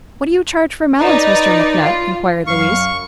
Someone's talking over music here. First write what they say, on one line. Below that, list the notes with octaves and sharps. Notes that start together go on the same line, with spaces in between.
"What do you charge for melons, Mr. McNutt?" inquired Louise.
D#4 B4 D5
F4
F#2 F5 C#6